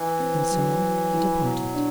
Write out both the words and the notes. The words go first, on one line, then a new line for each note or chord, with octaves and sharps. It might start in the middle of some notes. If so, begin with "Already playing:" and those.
And so he departed.
Already playing: E3
C4
F#3
F#3
E4
B2 F#3
D4